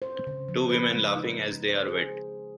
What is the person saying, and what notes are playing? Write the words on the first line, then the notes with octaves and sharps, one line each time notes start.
Two women laughing as they are wet.
C5
C#3
F3
B4
G#3
D#4
C5
G#4